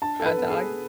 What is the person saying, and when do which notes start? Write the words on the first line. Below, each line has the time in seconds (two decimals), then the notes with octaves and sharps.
A dog?
0.02 D4 A5
0.20 A4
0.26 B4
0.37 B3
0.43 A4
0.50 G#4